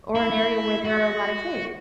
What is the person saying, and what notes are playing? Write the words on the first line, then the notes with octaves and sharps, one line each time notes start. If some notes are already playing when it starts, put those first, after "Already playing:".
Or an area where there are a lot of kids?
E4
F#4